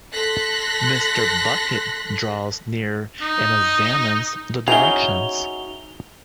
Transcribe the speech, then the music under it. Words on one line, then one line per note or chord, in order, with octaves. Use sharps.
Mr. Bucket draws near and examines the directions.
A4 C6 F#6 A#6 B6
D#4
C#4 D#4 E4 F#4 G#4 F7 G7